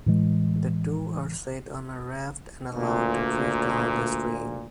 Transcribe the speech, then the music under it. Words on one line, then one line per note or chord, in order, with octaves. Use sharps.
The two are set on a raft and allowed to drift down the stream.
A2 E3 G#3
D2 A#2